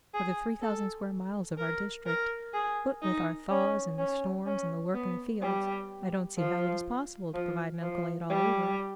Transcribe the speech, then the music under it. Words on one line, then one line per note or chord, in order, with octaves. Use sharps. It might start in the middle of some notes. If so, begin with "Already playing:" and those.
For the three thousand square miles of our district, what with our thaws, and the storms, and the work in the fields, I don't see how it is possible to provide medical aid all over.
G#4
A4
A#4
A#4
G#4
D#4
C#4
C#4
C#4
B3
G3
F3
F3
F3
G3